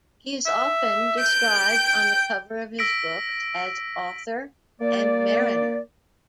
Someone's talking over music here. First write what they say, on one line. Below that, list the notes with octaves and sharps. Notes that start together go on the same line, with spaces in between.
He is often described on the cover of his books as "author and mariner".
E5
G6 D7
G5
E6 A#6 B6 D7 F#7
A#3 D5